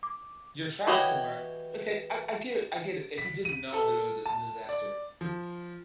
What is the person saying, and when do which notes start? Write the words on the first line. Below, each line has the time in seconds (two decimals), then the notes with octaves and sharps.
you're traveling somewhere okay, I I get it I get it. If you didn't know there was d disaster.
0.03 D6
0.87 E3 F#4 G4 C#5 D#5
3.18 B6
3.45 D#7
3.73 A4
4.26 A5
4.69 D5
5.21 F3